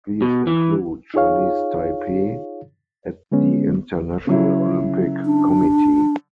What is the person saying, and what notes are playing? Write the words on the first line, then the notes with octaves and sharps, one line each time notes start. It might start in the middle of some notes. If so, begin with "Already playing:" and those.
These include "Chinese Taipei" at the International Olympic Committee.
B2
E3
D#4 F4 G#4 C#5 F5
D3 G#3 B3 C#4
C#3 F#3 E4
D4